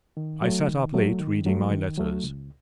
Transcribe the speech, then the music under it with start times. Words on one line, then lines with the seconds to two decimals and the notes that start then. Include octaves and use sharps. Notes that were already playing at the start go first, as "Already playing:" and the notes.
I sat up late reading my letters.
0.17 D#3
0.42 F#3 A3
0.68 D#3
0.94 F#3 A3
1.20 D#3
1.46 F#3 A3
1.71 D#3
1.97 F#3 A3
2.24 C#2